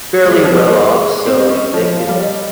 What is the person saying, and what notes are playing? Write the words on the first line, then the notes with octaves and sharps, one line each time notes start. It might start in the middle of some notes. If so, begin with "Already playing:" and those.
fairly well off so they could
G#3
G3 G#4
F3 A#4
G3
G#3 C5
A#4
G#4
G#4
C4 C5
D#5
C#4 D#5
D#5
F3 C#5
F3
F3 F5
G3
C#5
D#5